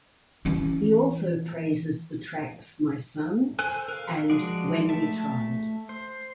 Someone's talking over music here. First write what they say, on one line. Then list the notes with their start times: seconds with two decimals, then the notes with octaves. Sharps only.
He also praises the tracks "My Son" and "When We Tried".
0.45 E3 C#4
3.58 A4 C5 G#5 F#6
3.88 A#4 F5
4.30 F3 G#3 F#4 D5
4.89 A3 E5 A5
5.89 C5